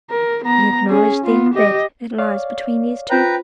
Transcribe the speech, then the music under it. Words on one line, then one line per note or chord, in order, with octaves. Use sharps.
"You acknowledge, then, that it lies between these two?"
A#4
B3 A#5
C#4 G#4
B3 F4
G4 D#5
C#5 D5 F5
C#4 F4 B4 C5 G5 A#5